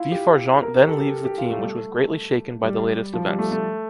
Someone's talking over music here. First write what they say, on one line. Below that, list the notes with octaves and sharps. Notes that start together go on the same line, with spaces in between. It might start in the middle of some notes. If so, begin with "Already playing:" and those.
Vif-Argent then leaves the team which was greatly shaken by the latest events.
Already playing: E4 F4
G4
A#4
G4
A4
G4
G4
F4
A3
G3
A3
G3
F3
G3
A3
A3